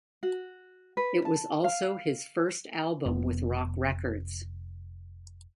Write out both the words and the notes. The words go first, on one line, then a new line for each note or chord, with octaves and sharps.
It was also his first album with Rock Records.
F#4
B4
A5
F5
F1 B3